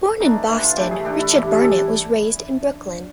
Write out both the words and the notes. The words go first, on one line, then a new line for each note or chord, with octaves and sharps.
Born in Boston, Richard Barnet was raised in Brookline.
E3 A3 D4 D#4
E3 A3 D4
F4
E3 A3 D4 G4
G#4
E3 A3 D4 G4
E4
G2 E3 G3 E4
G#4
E3 G3 A4